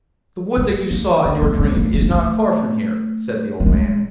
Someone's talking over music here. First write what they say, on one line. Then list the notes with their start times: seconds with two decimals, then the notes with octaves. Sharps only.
'The wood that you saw in your dream is not far from here,' said the old man.
0.57 A#3
0.91 A#3
1.25 B3
1.42 A#3
1.59 G#3
1.77 A#3
1.94 A3
2.02 A#3
2.10 A3
3.60 A3
3.66 G#3